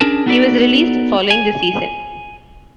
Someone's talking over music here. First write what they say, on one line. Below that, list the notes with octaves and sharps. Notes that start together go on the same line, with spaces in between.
He was released following the season.
C#4 D4 G#4 A#4 A5
B3 D#4 F#4 A4 B4 D5
G#5